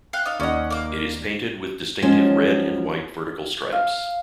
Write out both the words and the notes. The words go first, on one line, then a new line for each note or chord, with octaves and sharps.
It is painted with distinctive red and white vertical stripes.
F5 G5 F#6
D#4 D5 F5
D#2 C#4 D5 D#5 F#5
A#3 D6
F3 F#3 G#3 C#4
F5